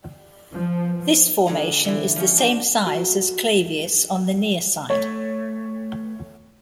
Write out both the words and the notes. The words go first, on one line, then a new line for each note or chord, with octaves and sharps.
This formation is the same size as Clavius on the near side.
F3
D3 G#3 D#4
D3 E3
F3 C#4
D4 F#4 C5
F#4
A3 C#5